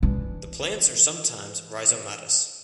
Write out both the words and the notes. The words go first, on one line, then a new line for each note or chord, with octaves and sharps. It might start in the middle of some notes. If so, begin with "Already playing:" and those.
The plants are sometimes rhizomatous.
E3 D4